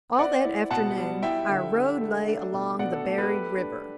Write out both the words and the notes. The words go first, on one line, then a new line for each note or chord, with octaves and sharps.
All that afternoon our road lay along the buried river.
C4 D5 F#5
E4
B2 F#5 A5
G3
E4 E5 G5
D3
D3
A3
D4
B2
B2 D5 F#5
A4
A3 A4
G4 B4
A3
D4